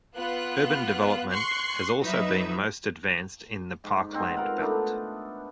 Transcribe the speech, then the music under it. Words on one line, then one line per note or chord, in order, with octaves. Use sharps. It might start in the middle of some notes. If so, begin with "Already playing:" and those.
Urban development has also been most advanced in the parkland belt.
B3 F4 F#6
C6 C#6 F#6 C7
F#3 D#4 B4 E5
G#2
B2 C4 D#4 F#5
F4 A#4 F5 F#5
A3 B3 D4 D#4